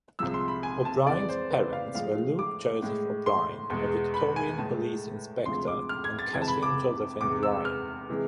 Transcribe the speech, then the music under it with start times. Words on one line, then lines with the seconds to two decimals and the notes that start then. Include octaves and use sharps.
O'Brien's parents were Luke Joseph O'Brien, a Victorian Police Inspector, and Katherine Josephine Ryan.
0.19 C2 C3 F3 G#3 E6
0.34 C6
0.48 B5
0.63 G#5
0.85 A5
1.07 F2 E3 G#3 D5
1.29 C5
1.51 B4
1.73 F5
1.94 A2 F3 G#3 F5
2.39 D6
2.82 A2 G#3
3.26 C6
3.70 E2 B2 G#3
4.14 B5
4.36 G#5
4.58 A2 G#3 A5
5.46 D2 C3 F3 G#3 C6
5.68 D6
5.89 F6
6.04 G#6
6.19 A6
6.33 F2 C3 E3 G#3 G#6
6.42 A5
6.48 B5
6.63 D6
7.21 E2 C3 G#3 D6
7.43 E6
7.65 F6
8.09 C3 E3 G#3